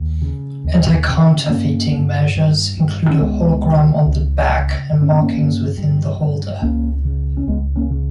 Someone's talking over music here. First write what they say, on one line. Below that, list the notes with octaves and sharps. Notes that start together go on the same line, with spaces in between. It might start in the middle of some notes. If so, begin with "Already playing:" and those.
Anti-counterfeiting measures include a hologram on the back and markings within the holder.
Already playing: D#2
C#3
D#2
C#3
G2 A#3 C#4
G2
G2
G2
C#4
C#2 G#3 B3
C#3
C#2
C#3
G2
C#4
B3
A#3 C#4
G2
G2
G2
C#2 A#3 C#4
C#3
C#4
C#2 G#3 B3
A#3 C#4
C#3